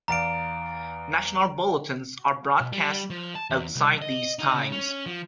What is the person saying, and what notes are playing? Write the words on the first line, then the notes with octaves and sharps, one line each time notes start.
National bulletins are broadcast outside these times.
E2 D5 F5 A#5 D7
B2
G3
F3
A5
E2
C2
D#5
D#4
C#3
C#4
F3